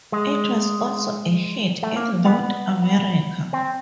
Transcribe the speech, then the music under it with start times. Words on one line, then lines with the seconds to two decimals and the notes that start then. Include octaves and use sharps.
It was also a hit in North America.
0.12 G#3
1.83 A3
1.96 A#3
2.25 B3
3.53 C4